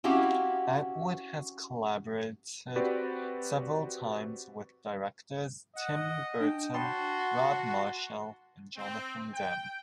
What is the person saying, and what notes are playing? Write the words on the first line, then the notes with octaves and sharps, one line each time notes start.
Atwood has collaborated several times with directors Tim Burton, Rob Marshall and Jonathan Demme.
C4 C#4 E4 F#4 G4 F5
C4 F#4 G4 B4 D5
D#5 F#5
D4 G5
F#4 C#5 G5 A5 B5 C6
C4
G5